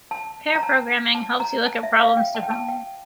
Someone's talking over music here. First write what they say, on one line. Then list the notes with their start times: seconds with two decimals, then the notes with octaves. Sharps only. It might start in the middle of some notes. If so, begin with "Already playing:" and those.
Pair programming helps you look at problems differently.
0.11 A5
0.55 A#5
0.63 A5
1.15 A5
1.40 A#5
1.65 A5
1.83 E5
1.99 F5
2.17 G5
2.35 A5
2.43 G5
2.51 A5
2.69 G5